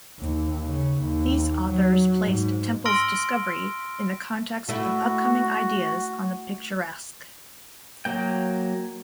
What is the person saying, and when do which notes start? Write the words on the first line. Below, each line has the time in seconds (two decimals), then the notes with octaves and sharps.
These authors placed Temple's discovery in the context of upcoming ideas on the picturesque.
0.19 D#2
0.66 C#3
1.02 D#2
1.68 F#3
2.22 G#2
2.85 C6 E6 F6 A#6 D7 G7
4.69 A3 E4 F#4
8.05 F#3 A#3 G5